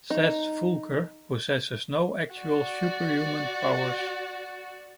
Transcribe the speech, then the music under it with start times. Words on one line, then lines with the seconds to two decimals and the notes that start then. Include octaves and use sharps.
Seth Voelker possesses no actual superhuman powers.
0.10 D#4
2.35 F#4 D5